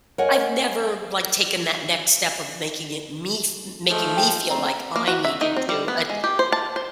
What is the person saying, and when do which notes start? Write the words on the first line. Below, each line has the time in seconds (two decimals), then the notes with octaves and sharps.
I've never, like, taken that next step of making it me f making me feel like I needed to at
0.18 A#4 C#5 D#5 F#5 G#5
3.90 F3 G#3 A3
4.17 G5
4.50 F3 A3 C4 A#5
4.96 A#3
5.08 F#4
5.25 E5
5.41 D#4
5.56 C4
5.69 G3
5.88 B3
6.10 G#3
6.24 G4
6.39 C5
6.52 A5
6.76 C5